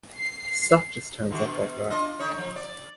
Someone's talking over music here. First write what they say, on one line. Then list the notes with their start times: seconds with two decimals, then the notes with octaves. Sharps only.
Stuff just turns up like that.
0.16 C7
1.31 D3 D#3 F#4
1.45 B2
1.90 D4 F4 D#5
2.19 D3 D#4 C#5
2.38 F3
2.56 D5